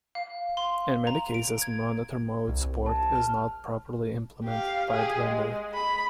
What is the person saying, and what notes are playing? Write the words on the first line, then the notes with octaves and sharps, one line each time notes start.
In many cases, monitor mode support is not properly implemented by the vendor.
F5
C6
A#5
D7
G#6
C2
A5
F6
G4 F5
G4 G#4
G#3
B5